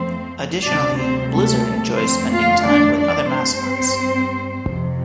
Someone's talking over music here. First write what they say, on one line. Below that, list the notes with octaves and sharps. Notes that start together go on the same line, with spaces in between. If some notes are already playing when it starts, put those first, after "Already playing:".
Additionally, Blizzard enjoys spending time with other mascots.
Already playing: F2 F3 A3 C4 C5
D2 C3 G3 D4 D5
C4 C5
A3 A4
F2 D3 F3 A3 C4 C5
F4 F5
D4 D5
D4 D5
G2 G3 C4 C5
F2 C3 F3